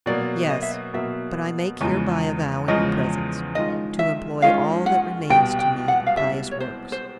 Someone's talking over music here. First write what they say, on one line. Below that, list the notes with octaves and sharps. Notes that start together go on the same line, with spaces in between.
"Yes, but I make hereby a vow in your presence, to employ all that remains to me in pious works."
B2 F#3 A#3 D5
D#5
E5
D#5
B2 F#3 A#3 E5
E2 C#3 F3 G#3
E2 C#3 F3 G#3 D#5
D#3 G#3 C#4 F4 D#5
E5
D#3 G#3 C#4 F4 F5
F#5
C2 B2 G3 G5
G5
F#5
F5
C2 B2 G3 E5
C#5
C5
C5